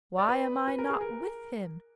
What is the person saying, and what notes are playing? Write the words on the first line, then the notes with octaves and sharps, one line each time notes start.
Why am I not with him?
D5
B4
B4
A#4
G#4
A#4